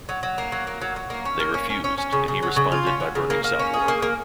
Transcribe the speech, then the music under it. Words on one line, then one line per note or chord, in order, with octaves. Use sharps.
They refused, and he responded by burning Southwark.
F#3
F#3
A#3
F#3
A#3
F#3
F#3
A#3
C#4
A#3
C#4
C#4
C#4
C#4
C#3
C#3
F#3
C#3
F4
C#4
F#3
C#3
A#3
A#3
C#4
G#4
A#3
A#3